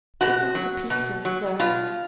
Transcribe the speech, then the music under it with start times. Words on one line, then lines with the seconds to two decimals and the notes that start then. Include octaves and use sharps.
'It's all to pieces, sir.
0.21 B2 F#4
0.55 F#3
0.90 B2
1.25 F#3
1.59 B2 F4